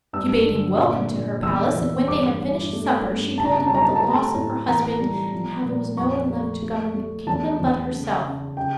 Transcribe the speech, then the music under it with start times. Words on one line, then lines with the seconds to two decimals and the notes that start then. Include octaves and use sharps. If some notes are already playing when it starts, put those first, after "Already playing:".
She bade him welcome to her palace, and when they had finished supper she told him of the loss of her husband, and how there was no one left to govern the kingdom but herself.
0.13 G2 E6
0.46 D3
0.78 A#2
1.11 A#2
1.43 E2 E6
1.75 E2
2.08 G2 D6
2.40 G2
2.73 A3
3.05 G2
3.38 C#3 A5
3.45 A#5
3.52 A5
3.60 A#5
3.67 A5
3.70 G3 A#5
3.81 A5
3.89 A#5
3.96 A5
4.03 A3 A#5
4.11 A5
4.35 A2
4.68 E3 A#5
5.00 G3
5.33 F3
5.65 A#2
5.97 F2 C#6
6.30 A3
6.62 A3
6.95 A3
7.27 E2 A5
7.60 E2
7.92 C#3
8.24 C#3
8.57 C#3 G5